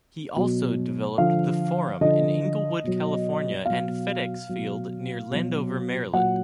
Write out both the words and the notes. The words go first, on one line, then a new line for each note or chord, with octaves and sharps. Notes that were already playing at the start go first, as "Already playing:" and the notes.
He also developed The Forum in Inglewood, California and FedExField near Landover, Maryland.
B2 F#3
D3 F3 F5
D3 F3 D#5
B2 F#3
B2 F#3 F5
B2 F#3
B2 F#3
A#2 F#3 F#5